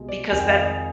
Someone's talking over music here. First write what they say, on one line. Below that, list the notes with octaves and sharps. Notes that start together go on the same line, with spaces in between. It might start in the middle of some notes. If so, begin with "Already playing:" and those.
because that
Already playing: C2 B2 G#3
D5
F2 D#3 G#3 G#5
G5
F5
G#4